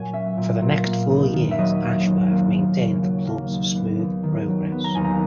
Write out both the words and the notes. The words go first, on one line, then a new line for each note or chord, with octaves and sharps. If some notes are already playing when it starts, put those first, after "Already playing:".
For the next four years Ashworth maintained the club's smooth progress.
Already playing: A#2 F#3 G#5
C#4 E5
A#2
A#2
A#3
D#2
D#3
E5
F#3 D#5
A#3
D#2
A#3
D#2
C#3
F#3
A#3
D#2
B3
D#2
D#3
F#3
B3
A#5
D#2 G#5
A#5